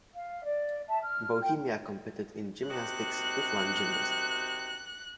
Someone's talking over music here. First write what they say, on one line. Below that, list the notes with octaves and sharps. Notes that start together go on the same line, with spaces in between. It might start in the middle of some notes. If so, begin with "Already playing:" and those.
Bohemia competed in gymnastics, with one gymnast.
F5
D5
E5 A5
F6
G5
C3 D#3 F#4 F#6